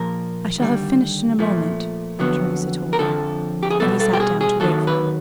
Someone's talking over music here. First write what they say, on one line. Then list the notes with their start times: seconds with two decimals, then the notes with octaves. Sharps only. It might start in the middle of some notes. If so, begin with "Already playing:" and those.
"I shall have finished in a moment," Theresa told him, and he sat down to wait for her.
Already playing: A#2 F3 A#3 A#4
0.58 D#2 D3 G3
1.39 A#2 F3 A3
2.19 F2 D3 F#3 B3
2.93 A#4
2.99 F2 D3 F3 A4
3.63 G4
3.70 G#4
3.80 B2 G3 B3 A4
4.00 A4
4.13 G4
4.20 G#4
4.41 G#4
4.60 D#2 D#3 F#3 A4
4.87 B4